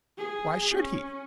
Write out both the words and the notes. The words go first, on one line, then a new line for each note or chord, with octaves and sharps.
Why should he?
G#4
C#4